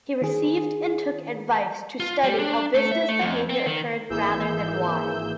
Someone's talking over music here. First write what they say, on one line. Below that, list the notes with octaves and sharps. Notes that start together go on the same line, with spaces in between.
He received and took advice to study how business behaviour occurred rather than why.
D#3 G#4
F4
G3
D4
A3
E5
A3
F2
C4
D#3
G#1 E3 A#3 G#4 E6 G6